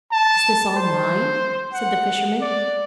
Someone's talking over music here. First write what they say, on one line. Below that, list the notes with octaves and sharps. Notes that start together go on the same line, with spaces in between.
"Is this all mine?" said the fisherman.
A5
C5
F#5
D5